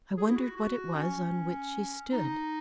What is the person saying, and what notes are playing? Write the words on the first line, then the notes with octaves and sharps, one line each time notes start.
I wondered what it was on which she stood.
G#4
E4
F#4
F#4
C#4
D#4